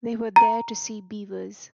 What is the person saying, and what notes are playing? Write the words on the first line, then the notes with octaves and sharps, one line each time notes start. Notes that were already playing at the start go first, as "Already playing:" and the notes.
They were there to see beavers.
A#5